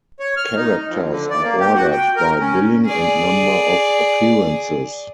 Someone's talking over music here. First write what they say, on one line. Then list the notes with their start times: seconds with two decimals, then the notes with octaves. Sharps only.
Characters are ordered by billing and number of appearances.
0.20 C#5
0.37 F6
0.56 D#4
0.87 F2
1.10 D3
1.30 D5
1.43 A#3
1.60 G4
1.75 F#4
1.92 G5
2.16 A#4
2.40 C#4
2.86 G#4 D5